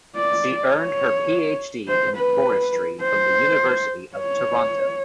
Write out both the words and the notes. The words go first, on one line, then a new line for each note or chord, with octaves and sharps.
She earned her PhD in Forestry from the University of Toronto.
D5
C#5
C5
B4
C5
C#5